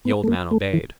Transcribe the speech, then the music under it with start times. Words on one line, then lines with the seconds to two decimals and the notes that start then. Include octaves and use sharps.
The old man obeyed.
0.05 B3
0.24 A3
0.28 A#3
0.51 A3
0.73 E3